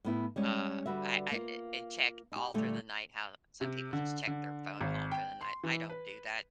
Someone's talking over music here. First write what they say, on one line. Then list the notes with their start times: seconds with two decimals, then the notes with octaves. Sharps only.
uh, I I, eh, and check all through the night, how some people just check their phone all through the night, I don't do that,
0.05 A2 B3 E4
0.36 G3 G#3 C#4
0.86 D3 G3 F#4 B4 E5
1.31 A#3 F4
2.32 D#4 G4
2.54 A#2 D3 G3 A3
3.61 C3
3.93 D3
4.27 D3
4.81 G#1
5.11 G5
5.41 C6
5.63 E3
5.89 B4